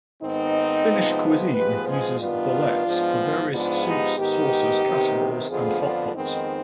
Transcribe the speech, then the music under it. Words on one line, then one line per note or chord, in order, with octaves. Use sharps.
Finnish cuisine uses boletes for various soups, sauces, casseroles, and hotpots.
G#2 D#3 B3 C4 D#4
C3 F3 G#3 B3
G#2 F3 G#3 B3 G4 B4
G#4 C5
G2 D#3 B3 D4 F4
G#2 F3 G#3 B3
G#2 F3 G#3 B3 D4 F4
D#4 G4
G#2 D#3 B3 D#4 G4
C3 D#3 B3
F2 D3 F3 B3 F4 G#4
D4 F4
F2 D#3 G#3 B3 C4 D#4